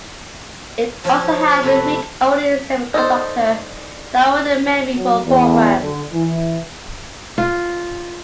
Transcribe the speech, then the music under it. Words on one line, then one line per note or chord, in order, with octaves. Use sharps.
It also had read-only semiconductor diode memory for programs.
F3 C#5
C3 A3 B4
D#4 A4 C5 D5
F#3
E2
D3
E3
F4